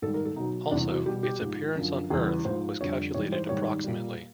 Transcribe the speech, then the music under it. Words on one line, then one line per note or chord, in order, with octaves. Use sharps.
Also, its appearance on Earth was calculated approximately.
G#2 D#3 G3 A4
A#4
A4
B2 F#3 D#4
E2 C3 E3 G3 D4
F#4
B2 G3 G4
G4
G#2 F3
F#2 D3 F3
E2 C#3 E3 G3 G#4
B4
G#2 F3 C5
F2 D3 G3 C#5
G#2 E3 G3 C#5
C5
G#2 D#3 G3 C#5
A#2 G3